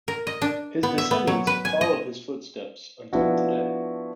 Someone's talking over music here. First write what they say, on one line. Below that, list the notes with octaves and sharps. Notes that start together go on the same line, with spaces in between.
His descendants follow his footsteps until today.
A#4
D#5
D4
B3
E5
B3
F#3
B4
G#5
D#5
F3 B3 D4 E4 F#4